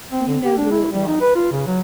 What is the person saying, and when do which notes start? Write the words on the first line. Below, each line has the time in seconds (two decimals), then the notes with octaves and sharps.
"Do you know who it was?"
0.12 C4
0.28 D3
0.44 G4
0.58 D4
0.71 E4
0.92 G3
1.08 D#4
1.21 B4
1.35 F4
1.52 C#3
1.67 F#3